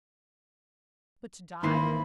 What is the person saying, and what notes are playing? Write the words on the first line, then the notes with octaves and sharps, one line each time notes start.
But to die?
G#1 D#3 E3 A#3 C4 B5 C6 C7